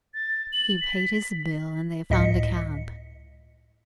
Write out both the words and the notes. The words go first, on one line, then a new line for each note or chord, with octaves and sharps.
He paid his bill and they found a cab.
A6
F#7
B6
C#2 A2 D#5 B6 C#7